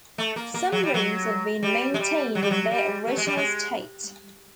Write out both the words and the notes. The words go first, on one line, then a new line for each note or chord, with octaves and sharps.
Some rooms have been maintained in their original state.
A3
A#3
A#3
F#3
G3
F#3
G3
G#3
G3
F#3
G3
F#3
G3
A3
G#3
G3
G#3